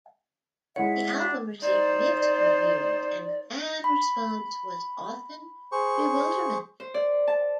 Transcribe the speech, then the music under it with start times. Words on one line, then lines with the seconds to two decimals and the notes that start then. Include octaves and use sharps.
The album received mixed reviews, and fan response was often bewilderment.
0.76 G#3 E4 C#5 E5 F#5
1.18 D4
1.61 D#4 C5 D5
3.84 B5
5.72 G#4 C5 C#6
6.80 C5
6.94 D5
7.27 A5